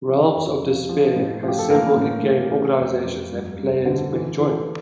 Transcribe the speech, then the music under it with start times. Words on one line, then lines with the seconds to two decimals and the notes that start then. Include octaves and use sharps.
"Realms of Despair" has several in-game organizations that players may join.
0.08 F3
0.35 F2
0.63 F3
0.89 F3
1.16 A2
1.43 F3
1.48 G4
1.59 A4
1.70 E3 A#3 A#4
1.96 A2
2.23 A2
2.50 E3
2.78 F2
3.04 F2
3.31 G2
3.58 G2
3.85 D3
4.12 E3
4.39 E3